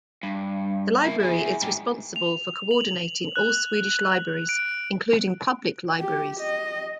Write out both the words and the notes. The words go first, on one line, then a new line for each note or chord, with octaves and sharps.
The library is responsible for coordinating all Swedish libraries, including public libraries.
G2
A#3 E4
E4 G#4
G#2 G4
F7
F#7
F#6
D7
G4
D#5